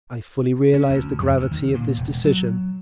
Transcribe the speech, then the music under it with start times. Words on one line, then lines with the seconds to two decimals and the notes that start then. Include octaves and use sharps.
I fully realise the gravity of this decision.
0.74 C#4
0.90 D2
1.20 F2
1.37 D2
1.51 D#3
1.74 A#2
1.98 E1
2.24 F#3